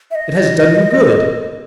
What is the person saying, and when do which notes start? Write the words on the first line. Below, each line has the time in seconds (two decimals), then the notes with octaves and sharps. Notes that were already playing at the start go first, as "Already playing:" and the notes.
It has done you good?
0.11 E5
0.15 D#5